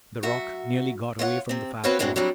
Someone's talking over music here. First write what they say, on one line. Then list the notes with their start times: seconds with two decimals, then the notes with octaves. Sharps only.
The rock nearly got away from the fat boy.
0.23 F#2 F#4 E5
1.19 F4 C#5 D#5 F#5
1.49 C3 C4
1.84 C4 F#4 B4 C#5 F5
1.99 A2 G#3 C4 D4 F4 F#4
2.16 F#3 G3 C4 D4 E4